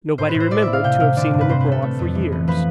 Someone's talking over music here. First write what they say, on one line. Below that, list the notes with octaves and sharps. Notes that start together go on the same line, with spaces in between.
Nobody remembered to have seen them abroad for years.
A2 C5
B4
A2
C5
E4 D5
E5
E4
F5
C3 G5
C3 F5
D3 D5
G2
B4
C4 C5
B4
A3
A4
A3
F2
E3
B3
F3 B4